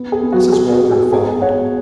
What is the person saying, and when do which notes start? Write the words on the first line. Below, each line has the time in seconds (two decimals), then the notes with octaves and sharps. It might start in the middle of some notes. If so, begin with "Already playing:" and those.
Mrs. Waldron followed.
Already playing: B3
0.12 G#4
0.22 B3
0.33 F#4
0.52 B3 G#4
0.72 F#4
0.82 B3
0.92 G#4
1.12 B3 G#4
1.42 B3 C#5 F#5